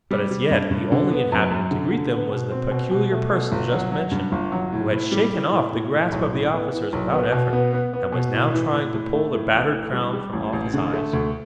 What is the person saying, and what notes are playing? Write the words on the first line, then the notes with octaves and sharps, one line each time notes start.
But as yet the only inhabitant to greet them was the Peculiar Person just mentioned, who had shaken off the grasp of the officers without effort and was now trying to pull the battered crown from off his eyes.
G3
G3
G2
G2
D3
B3
F#2
F#2
D3
D3
B3
B2
C4
B2
B2
A3
B2
G1
F#3
F#3
G2
G1
F#3
A2
A2
G3
E3
A2
A2
A2
B1
A2
B3
E3
B1
B3
B2
B3
B3
B3
B2
A2
E3
A2
A2
A3
A2
A1
E3
G3
G3
A1
A1
D3
A3
D2